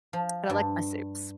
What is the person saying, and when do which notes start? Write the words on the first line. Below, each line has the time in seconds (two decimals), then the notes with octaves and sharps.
but I like my soups.
0.13 F3
0.50 G2